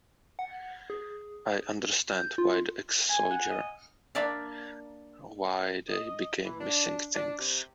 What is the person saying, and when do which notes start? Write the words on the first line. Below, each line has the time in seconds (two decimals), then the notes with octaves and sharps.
I understand why the ex-soldier, why they became missing things.
0.39 F#5
0.90 G#4
2.12 G6
2.38 F4
3.09 G#5
3.31 F#5
3.51 D#5
4.15 A#3 D4 D5 E5 F5
5.89 D#5
6.45 E3
6.60 D4
7.15 D4
7.38 C3